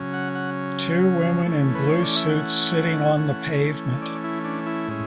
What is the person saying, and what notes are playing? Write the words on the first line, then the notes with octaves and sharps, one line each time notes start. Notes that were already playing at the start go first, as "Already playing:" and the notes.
Two women in blue suits sitting on the pavement.
Already playing: C#3 F#3 C#4
F#5
F#5
E3 A3 C#4
B4
C#5
D5
E5
F#5
E3 A3 C#4
D5
E4
D4
E4
A2 G#3 C#4